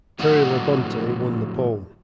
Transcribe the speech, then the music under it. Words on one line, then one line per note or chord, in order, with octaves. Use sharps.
Terry Labonte won the pole.
F2 A2 D3 F#3 D#5 F#5